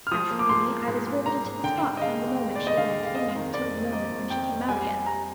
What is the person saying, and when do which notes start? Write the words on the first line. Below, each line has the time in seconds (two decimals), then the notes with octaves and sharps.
As for me, I was rivetted to the spot from the moment she went in till the moment when she came out again.
0.07 F6
0.11 F3 D#6
0.31 A#3
0.39 D6
0.49 G#2 C6
0.69 A#3
0.88 G#2
1.07 G#2
1.26 G#2 A#5
1.45 G#2
1.63 D3 G5
1.83 D3
1.97 D#5
2.02 G#3 F5
2.21 D#2
2.40 G#3
2.56 D#2 D5
2.67 D#5
2.78 D3 F5
2.97 G#3
3.05 F5
3.15 F2 D#5
3.35 D#3
3.54 F2 D5
3.73 F2
3.92 A#3 D#5
4.12 F2
4.30 F2 G5
4.49 F2
4.68 G3 G#5
4.88 G3
5.06 G3 A#5